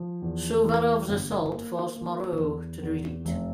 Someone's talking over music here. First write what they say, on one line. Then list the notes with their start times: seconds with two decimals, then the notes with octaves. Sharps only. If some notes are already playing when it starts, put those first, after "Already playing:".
Suvarov's assault forced Moreau to retreat.
Already playing: F3
0.22 E2
0.65 E3
1.09 G1
1.52 A#3
1.95 A#3
2.38 E2
2.82 E2
3.25 F1